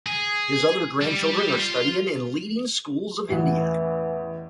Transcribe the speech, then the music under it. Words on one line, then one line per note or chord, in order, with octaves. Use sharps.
His other grandchildren are studying in leading schools of India.
G#4
G3
F4
A1 E2 E3 F#5